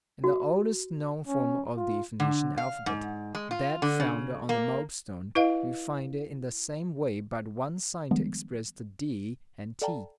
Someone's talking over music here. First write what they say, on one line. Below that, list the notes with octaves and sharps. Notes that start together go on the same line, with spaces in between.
In the oldest known form of the Phoenician alphabet, that found on the Moab stone, we find in the same way but one sign to express the d and t.
F#4
C#4
F4
D3
F5
G#2
G#3
F4
D3
C#3
A#3
E4 B4 D#5 F5
D#3 F3 G3 G#3 B3 D4
A4 D5 F5 G5 A5 A#5